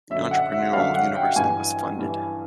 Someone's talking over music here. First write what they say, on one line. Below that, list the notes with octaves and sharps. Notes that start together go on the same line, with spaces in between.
The Entrepreneurial University was funded.
F#2 D3 E5
F#5
E5
F#2 D3 F5
F#5
G5
G2 E3 G#5
G2 E3